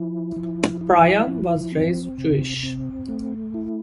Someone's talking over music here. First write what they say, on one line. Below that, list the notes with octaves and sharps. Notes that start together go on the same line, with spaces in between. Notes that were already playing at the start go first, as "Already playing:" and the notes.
Bryan was raised Jewish.
Already playing: F3 E4
F3
E4
F3
C4
C3
C4
A3
E4